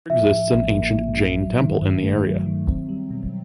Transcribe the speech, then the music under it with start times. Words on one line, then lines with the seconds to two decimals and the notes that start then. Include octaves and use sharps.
There exists an ancient Jain temple in the area.
0.10 F3 E5
0.31 A2
0.53 A1
0.75 A#3
0.96 F3
1.17 A2
1.39 F#3
1.61 D#3
1.82 G2
2.03 A3
2.25 F#3
2.46 D#3
2.68 C4
2.89 G3
3.10 B2